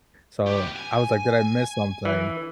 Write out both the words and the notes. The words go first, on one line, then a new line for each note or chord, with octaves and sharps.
so I was like, "Did I miss something?"
B3 G4
G#5
E3